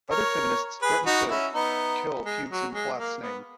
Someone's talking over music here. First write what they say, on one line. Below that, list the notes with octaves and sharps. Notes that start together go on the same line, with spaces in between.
Other feminists threatened to kill Hughes in Plath's name.
A#4 C#5
G#4 B4
D#4 F#4
C#4 E4
B3 D#4
G#3
F#3
G#3
A#3
B3